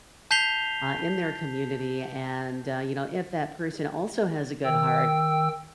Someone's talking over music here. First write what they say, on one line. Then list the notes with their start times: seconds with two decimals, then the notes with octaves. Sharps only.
uh, in their community, and, uh, you know, if that person also has a good heart,
0.31 A5 G6 B6 C7 F7 G7
4.65 D#3 G5 E6